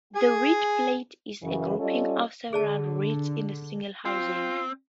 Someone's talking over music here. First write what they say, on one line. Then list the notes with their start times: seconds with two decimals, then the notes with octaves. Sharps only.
The reed plate is a grouping of several reeds in a single housing.
0.16 G#4 G#5
1.42 F#2 C#3 E3
1.79 G3 C#4 F4 A4 D#5
2.53 D3 G#4 D5 A5
4.05 C4 F4